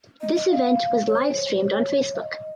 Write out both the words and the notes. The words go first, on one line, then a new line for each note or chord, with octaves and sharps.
This event was livestreamed on Facebook.
D#5
D#5
F5
C#5
C5
C#5
C5
C#5
F5
D#5